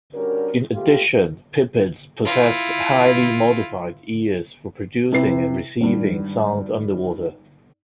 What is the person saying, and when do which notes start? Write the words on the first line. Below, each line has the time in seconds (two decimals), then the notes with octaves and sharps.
In addition, pipids possess highly modified ears for producing and receiving sound underwater.
0.15 D3 G3 C#4 D4 F#4 A#4
0.74 G#3 A3 B3 F4 G4
2.25 E4 F4
5.13 C3 E4 B4 C7
5.81 G#1 G2